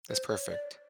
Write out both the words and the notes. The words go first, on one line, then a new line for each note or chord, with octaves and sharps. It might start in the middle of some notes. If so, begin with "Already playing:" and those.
That's perfect.
C5
C#5
D5